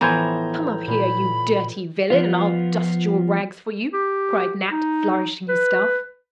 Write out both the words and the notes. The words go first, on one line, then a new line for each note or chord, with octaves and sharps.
"Come up here, you dirty villain; and I'll dust your rags for you," cried Nat, flourishing his staff.
A2 E3 F3 B3 A#5 G6 G#6
A#2 B5
F3 B3 F4
G4
D#4
B4